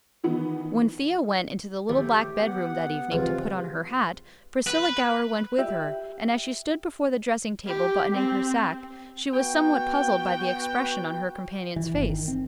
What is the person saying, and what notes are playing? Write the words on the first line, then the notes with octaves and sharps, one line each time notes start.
When Theo went into the little back bedroom that evening to put on her hat, Priscilla Gower went with her, and, as she stood before the dressing-table buttoning her sacque, she was somewhat puzzled by the expression on her companion's face.
D#3 E3 B3 D#4
D#2 A3 G4
B3 F#5
C#3 E3 G#3 C4 F4 G4
B4
G4 E5
G4
C4
B3 F#4 G5
E3
G1
D#3
C4